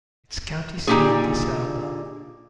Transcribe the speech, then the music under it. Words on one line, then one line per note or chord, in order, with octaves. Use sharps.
Its county seat is Elba.
A#2 D3 D#4 G4 G#4